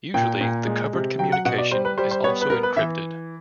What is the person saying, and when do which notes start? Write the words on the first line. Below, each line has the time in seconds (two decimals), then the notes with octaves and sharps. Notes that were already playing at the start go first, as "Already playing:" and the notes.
Usually, the covered communication is also encrypted.
0.14 A#2 G5
0.41 A#2
0.67 G#3
0.93 C3
1.19 F#3 G5
1.32 F#5
1.45 B2 F#5
1.58 D5
1.71 G3 C5
1.85 B4
1.98 G3 C5
2.11 C5
2.24 B3 C#5
2.41 B4
2.50 B3 A#4
2.63 B4
2.76 E3 E5